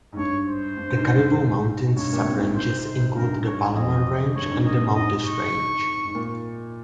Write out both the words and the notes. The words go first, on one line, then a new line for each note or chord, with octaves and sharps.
The Cariboo Mountains subranges include the Palmer Range and the Mowdish Range.
G#2
G2 C#5
C5
G2
G#2
G2
G#2
G2 C#5
A#2
C3
G#2
C5
C5
G2 A#4
C#5
F2 D#5
G2 C#5
G#2
A#2 D#5
G2
G#2 D#5
C#6
G#2
A#2